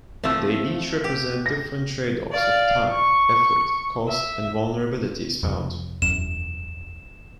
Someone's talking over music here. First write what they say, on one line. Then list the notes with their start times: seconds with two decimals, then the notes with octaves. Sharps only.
They each represent different tradeoffs of time, effort, cost and vulnerabilities found.
0.24 F3 A3 C4 E6
1.04 G4
1.46 A#6
2.32 D5 F5
2.90 C#6
4.08 E5
5.43 F2 C3
6.02 E1 F#2 E7